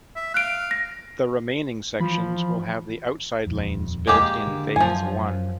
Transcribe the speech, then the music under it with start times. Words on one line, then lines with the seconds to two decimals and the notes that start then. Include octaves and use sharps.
The remaining sections will have the outside lanes built in Phase One.
0.16 E5
0.34 F5 F#6 D7
0.71 A#6
2.00 E3 F3 B5
3.46 D#1 F2
4.07 G#3 A#3 G4
4.47 D3
4.76 F#2 F3 F#3 G#5